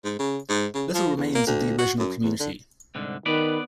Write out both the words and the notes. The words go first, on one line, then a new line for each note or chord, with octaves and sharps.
Little remains of the original community.
G#2
C#3
G#2
C#3
F3
E2
A#3
D2
F#4
F#2
E2
D3
C2 G#2 D3
D#3 B3 B4 D5